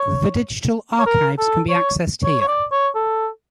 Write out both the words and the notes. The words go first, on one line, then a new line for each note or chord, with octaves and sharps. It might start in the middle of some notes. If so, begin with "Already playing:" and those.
The digital archives can be accessed here.
Already playing: C#5
C#5
A#4
A4
C#5
C#5
C#5
D5
C#5
A4